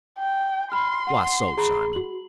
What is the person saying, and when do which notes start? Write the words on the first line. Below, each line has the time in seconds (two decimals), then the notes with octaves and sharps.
"Why so, Simon?"
0.19 G5
0.72 B5 C6 F6
1.07 F#5
1.57 G#4 A#5 B5
1.93 F#4 F#7